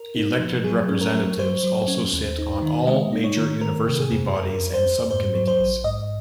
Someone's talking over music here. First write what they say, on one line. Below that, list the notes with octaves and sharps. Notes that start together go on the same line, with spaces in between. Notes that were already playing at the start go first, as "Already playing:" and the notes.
Elected representatives also sit on all major University bodies and subcommittees.
Already playing: A#4
D#4
F3
F#3 G#4
C#4
A#4
F#3
F#3 C5
F#3
C#4
D#2
D#4
D#3
G#3 D#5
D#4
C#5
D#3
D#3 A#4
C3
G#4
F2
F2 A#4
F2
C5
F2
G#2 C5
F#3
C5
A#1
G#2 D#5